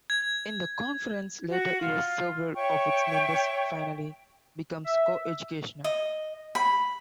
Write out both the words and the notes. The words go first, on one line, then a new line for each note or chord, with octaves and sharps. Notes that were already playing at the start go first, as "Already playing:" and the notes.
In the conference's later years, several of its members finally became co-educational.
G#6
F#4
F4
C#5 E5 G5 C#6
E5
D#5
B5